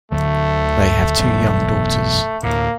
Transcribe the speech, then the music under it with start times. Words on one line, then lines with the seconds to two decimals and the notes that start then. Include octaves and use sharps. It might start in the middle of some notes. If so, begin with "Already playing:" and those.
They have two young daughters.
0.12 D2 D3 F#3 A3
1.19 E1 B1 F#2
2.43 D2 A2 A#3